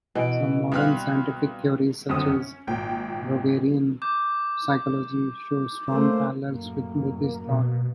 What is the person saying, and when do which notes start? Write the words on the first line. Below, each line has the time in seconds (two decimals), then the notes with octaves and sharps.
Some modern scientific theories, such as Rogerian psychology, show strong parallels with Buddhist thought.
0.15 B2 E3 E4 D#5 D7
0.72 C2 B4 E5 F5
2.09 G1 F#2 D3 C4 D#6
2.28 C#4
2.67 G#1 A#2 G5
4.02 D6 G6
5.89 A3 A#3 C#4 C5
6.47 F#2 A2 A#3
7.48 B2